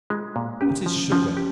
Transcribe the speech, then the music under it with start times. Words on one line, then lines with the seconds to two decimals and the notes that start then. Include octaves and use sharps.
What is Sugar?
0.10 G#3 F4
0.36 A#2
0.61 C#4 G4
0.86 F3
1.11 F3 C#4
1.37 G4